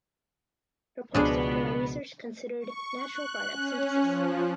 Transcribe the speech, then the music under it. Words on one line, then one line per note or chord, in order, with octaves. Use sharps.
Her postdoctoral research considered natural product synthesis.
C#2 B2 F3 B3 D4 G#4
C#6
F#6
C#4
F3